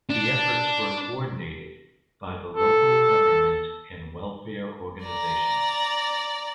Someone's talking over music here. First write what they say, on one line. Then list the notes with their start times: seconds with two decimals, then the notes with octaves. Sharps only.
The efforts were coordinated by the local government and welfare organizations.
0.10 D4
2.56 A4
5.05 D5 A#5